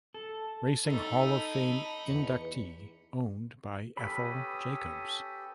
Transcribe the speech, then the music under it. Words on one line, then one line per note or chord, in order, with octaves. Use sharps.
Racing Hall of Fame inductee owned by Ethel Jacobs.
A4
D#4 A4 B5
E2 C#7
C#4 G4 A4 B4 B5 D#6